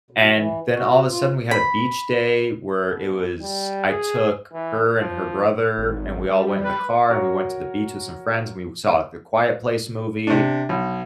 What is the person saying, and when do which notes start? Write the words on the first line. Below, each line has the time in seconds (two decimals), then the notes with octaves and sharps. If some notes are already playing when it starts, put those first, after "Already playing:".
and then all of a sudden we had a beach day where it was, I took her and her brother, and we all went in the car, and we went to the beach with some friends, and we saw The Quiet Place movie,
0.11 B2
0.33 E3
0.72 F#4
1.07 F4
1.51 B5
2.89 B2
3.42 G3
3.88 G#4
4.53 E3
5.00 F3
5.78 G#1
6.29 G3
6.64 B4
7.10 F#4 A#4 C#5 C#6
10.27 C3 D4
10.69 B1